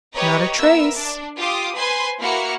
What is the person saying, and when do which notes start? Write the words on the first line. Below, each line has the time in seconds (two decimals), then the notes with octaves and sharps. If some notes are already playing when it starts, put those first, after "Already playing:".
"Not a trace."
0.14 G4 B4 C#5 D#5 A#5
0.57 B3 A#4 E5 E6
0.94 D4
1.37 F4 G4 C6 D6 D#6
1.75 B4 C5 G#5 C6
2.20 A#3 E4 F#4 F6 C#7